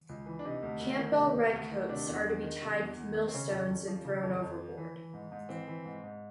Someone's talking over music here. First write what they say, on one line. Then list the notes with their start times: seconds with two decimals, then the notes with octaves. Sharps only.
Campbell redcoats are to be tied with millstones and thrown overboard.
0.09 C#2
0.26 E3
0.39 D4
0.45 C3 D#4
0.62 D2
0.81 D2
0.98 D#3
1.17 C3
1.35 D2
1.53 D2
1.71 D#3
1.89 C3 D4
2.07 E2
2.25 E2
2.43 D#3
2.61 C3
2.80 E2
2.97 E2
3.14 D#3
3.27 C4
3.33 C#3 C#4
3.50 F2
3.69 F2
3.88 F3
4.05 C#3
4.23 F2
4.42 F2
4.59 F3
4.77 E3
4.95 E3
5.14 G#2
5.32 G#2
5.49 E3 C4
5.68 E3
5.85 G#2
6.04 G#2